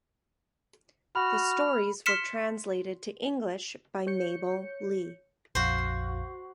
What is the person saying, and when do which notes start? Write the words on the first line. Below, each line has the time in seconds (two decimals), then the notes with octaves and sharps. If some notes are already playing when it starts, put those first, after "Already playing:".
The stories were translated to English by Mabel Lee.
1.16 F#4 B5 F6
2.06 C6 F6 B6 C#7 E7
4.07 C#5 G6 C#7
5.55 A#1 F2 F#4 C5 F5